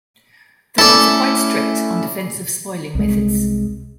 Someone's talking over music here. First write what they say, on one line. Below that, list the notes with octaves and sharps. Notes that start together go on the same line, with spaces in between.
The rules are quite strict on defensive spoiling methods.
A3 C#4 E4 A4 D5
C2 G#3